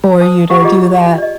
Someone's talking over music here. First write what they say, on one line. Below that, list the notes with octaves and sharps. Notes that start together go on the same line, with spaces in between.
for you to do that,
C5 A5 D#6
G4 F5 F#5 C#6
F4 G4 G#4 D5 D#5
D5 D#5